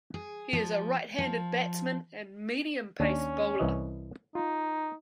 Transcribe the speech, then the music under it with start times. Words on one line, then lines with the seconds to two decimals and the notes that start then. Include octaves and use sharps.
He is a right-handed batsman and medium-pace bowler.
0.14 G#4
0.53 F3
1.18 F3
3.00 D#2 C#4 D4
3.60 C2 E3 D#5
4.35 D#4 F4